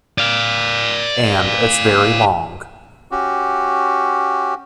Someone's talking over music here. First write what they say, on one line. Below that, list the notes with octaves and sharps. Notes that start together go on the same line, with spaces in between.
And it's very long.
D5 F5
C#4 F#4 G4